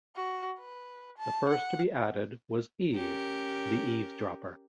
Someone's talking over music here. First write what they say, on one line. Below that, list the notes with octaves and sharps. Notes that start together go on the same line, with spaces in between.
The first to be added was Eve, the eavesdropper.
F#4
B4
A5
F#5
C#4 G4 A#4